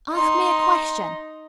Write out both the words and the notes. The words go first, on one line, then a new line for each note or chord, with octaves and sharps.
"Ask me a question."
D#4 C6